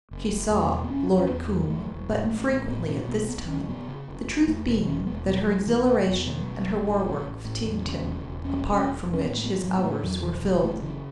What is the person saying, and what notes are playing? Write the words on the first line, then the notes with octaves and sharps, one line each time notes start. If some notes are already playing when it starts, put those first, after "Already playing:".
She saw Lord Coombe but infrequently at this time, the truth being that her exhilaration and her War Work fatigued him, apart from which his hours were filled.
F#1
F#1
E2 A3
B2
B3
E1 C#4
E1
C#4
E2 B3
C#3
E1 A3
E1
A2
A1 A3
A1 A3
A2 B3
B2 C#4
B1 B3
B1 B3
B2 C#4
F#2 B3
C#3
F#1
F#1
E2 A3
B2 B3
E1 C#4
E1 B3
B2 B3
B1 F#3
B1 E3
B2 B3
E2 B3
B2
F#1
F#1
A2
A1
A1
A2
E2
C#3
E1
E1
E2 C#4
B2
C#4
E1
E1
C#4
A2 B3
A3
A1 B3
A1 F#3
B3
A2 A3
E2 F#3
B2 E3
F#1 F#3
F#1 A3
C#3 E3